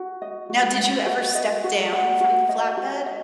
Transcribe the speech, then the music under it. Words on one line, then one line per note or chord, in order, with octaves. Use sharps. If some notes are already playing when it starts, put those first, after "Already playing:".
Now, did you ever step down from the flatbed?
Already playing: F#4
D#5
F#4
F#5
F#4
D#5
F#4
F#5
F#4
D#5
F#4
D#5